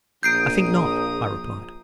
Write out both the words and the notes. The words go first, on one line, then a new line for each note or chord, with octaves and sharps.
"I think not," I replied.
A#1 A#5 D#6 G6 C7 D7